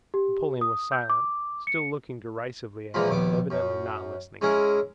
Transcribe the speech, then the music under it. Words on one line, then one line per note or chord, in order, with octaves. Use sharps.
Napoleon was silent, still looking derisively at him and evidently not listening to him.
G4
D#6
G6
D6
C#7
A#2 E3 F3 G#3 A#3 B5
A#1 D#2 B3 D6
F#2
G#3 C#4 E4 G#4 A#4